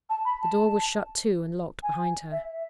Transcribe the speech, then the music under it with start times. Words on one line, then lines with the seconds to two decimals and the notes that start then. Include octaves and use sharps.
The door was shut to and locked behind her.
0.10 A5
0.25 B5
0.42 A5
1.83 G#5
2.31 E5
2.51 E5